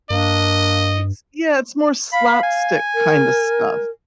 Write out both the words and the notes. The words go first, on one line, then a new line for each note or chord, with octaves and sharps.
It's yeah, it's more slapstick kind of stuff,
G2 A#3 D4 D#5
F5 B5
G#5
A#4